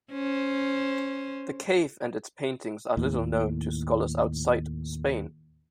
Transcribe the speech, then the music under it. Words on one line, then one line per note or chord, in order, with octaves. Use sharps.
The cave and its paintings are little known to scholars outside Spain.
C#4 C5
D#2 A2